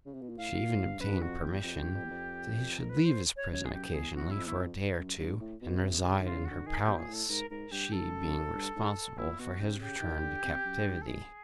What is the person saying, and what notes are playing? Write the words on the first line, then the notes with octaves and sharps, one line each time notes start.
She even obtained permission that he should leave his prison occasionally for a day or two, and reside in her palace, she being responsible for his return to captivity.
C#3
C3
B2
A#2
A2 F5
A#2
A2
G2
F#2 B4
F#2
F2 F#4
E2 G4
F2
F#2
F2
E2
F2
A#4
B4
C5
C#5
F#2 C#5
G#4
F#2 G4
E2 G#4
E2 F#4
F#2 E4
F2
E2 E4
F2
F#2
G2
A2
B2
C#3
C3
C#3
D3
C3 F4
C#3
F#4
D3
D#3 G#4
G4
B2
A#2 G#4
A2
A4
G#2 A#4
G#2 A#4
G2 G4
F#2 A4
G2
G#2
A#2 E4
B2 F#4
C#3 G4
C3
C#3 G4
D#3
D3
C3
F#2
G2
A4
G#2 G#4